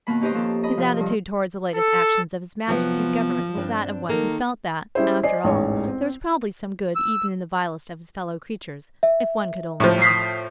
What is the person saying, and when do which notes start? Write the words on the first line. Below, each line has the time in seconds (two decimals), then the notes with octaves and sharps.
His attitude towards the latest actions of His Majesty's Government was that of one who felt that, after all, there was probably some good even in the vilest of his fellow creatures, if one could only find it.
0.07 D#2 B2 A#3 B5
0.21 C#4 D#4 G4 B4 C5 D#5
0.34 F2 A#3 A4
0.63 D#5 B5
0.77 C3 F3 F4
0.99 G2
1.75 A4
2.68 C3 F3 F#3 B3
3.55 G2 C4 D4
4.09 D#3 A#3 A4
4.95 G3 C#4 E4 G#4 C5
5.23 C5 D5 D#5 G#5 C7
5.43 E1 A1 G#2 G#3 C#5
5.88 C4
6.96 E6
9.03 E5
9.80 A2 F3
10.02 D#6 B6 C7